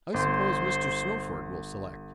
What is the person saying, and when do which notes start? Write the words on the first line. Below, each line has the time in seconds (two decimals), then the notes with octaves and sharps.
"I suppose Mr. Snowford will select."
0.14 G1 C5